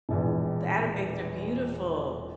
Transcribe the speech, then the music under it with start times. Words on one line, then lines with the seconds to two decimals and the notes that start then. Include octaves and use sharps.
The Outer Banks are beautiful.
0.09 E1 A#1 E2